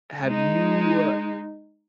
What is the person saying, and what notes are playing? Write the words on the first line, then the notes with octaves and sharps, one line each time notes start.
Have you
G#3 D#4